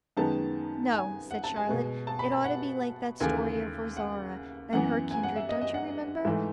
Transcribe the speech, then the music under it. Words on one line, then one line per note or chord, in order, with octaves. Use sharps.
'No,' said Charlotte, 'it ought to be like that story of Rosaura and her kindred, don't you remember?
F#2 D#3 G#3 B3 A5
G#5
F#5
A5
G#5
B2 G#3 B3
A5
B5
A5
F#5
D#2 C#3 E3 A3 G#5
F#5
F#2 E3 B3 F#5
G#5
F#5
E5
D#5
D#5
F#5
G#2 E3 A3 E5